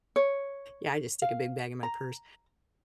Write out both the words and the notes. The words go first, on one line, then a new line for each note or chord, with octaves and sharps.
Yeah, I just stick a big bag in my purse,
C#5
F5
A#5